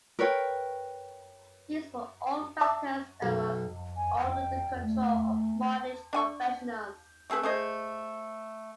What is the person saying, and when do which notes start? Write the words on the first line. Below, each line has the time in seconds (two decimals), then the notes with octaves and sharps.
These were all factors that were under the control of mortgage professionals.
0.19 A#4 B4 C#5 G5
2.61 D5 E5 A5
3.23 B1
3.96 G#5
4.25 G5
4.83 A3
6.13 D4 G#5 C#6
7.30 A3 C4 G#4 B4
7.43 A3 G#4 C5 D#5